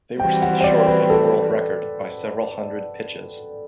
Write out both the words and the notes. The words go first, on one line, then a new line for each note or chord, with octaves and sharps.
They were still short of the world record by several hundred pitches.
E3 G3 C4 F#4 G5
F#5
C5
D5
B4
A4